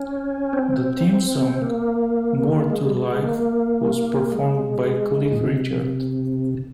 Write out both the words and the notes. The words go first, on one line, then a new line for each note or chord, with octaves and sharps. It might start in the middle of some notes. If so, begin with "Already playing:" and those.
The theme song, "More to Life", was performed by Cliff Richard.
Already playing: C#4
C4
A#3
G#3
G3
G#3
A#3
G#3
A#2
C3